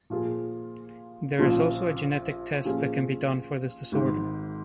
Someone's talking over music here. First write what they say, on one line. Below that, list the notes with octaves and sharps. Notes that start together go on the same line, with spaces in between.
There is also a genetic test that can be done for this disorder.
A#2 F3 A#3 F4 G#4
A#1 A#2 F3 C#4 F4
A#2 F3 C#4 F4 G#4
G#1 G#2 D#3